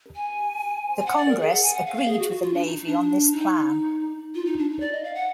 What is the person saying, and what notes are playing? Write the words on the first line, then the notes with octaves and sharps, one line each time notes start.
The Congress agreed with the Navy on this plan.
G#5
G#5
F#5
D5
A#4
G#4
F#5
G#5
F#5
F5
F5
G#4
F#4
F#4
F4
D4
D#4
D#4
D4
D#4
F4
D#4
D4
D#4
D5
D#5
F5
F#5